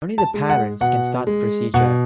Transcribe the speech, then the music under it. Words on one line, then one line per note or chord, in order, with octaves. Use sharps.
Only the parents can start the procedure.
A5
G#3
F#5
B2 F#5
G#3
B2 F#5